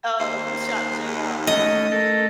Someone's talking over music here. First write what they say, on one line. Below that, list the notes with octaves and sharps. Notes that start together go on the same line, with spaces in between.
Oh, "Who shot JR?"
D#2 C5
A3 C#4 D#5
A3 A4 A#4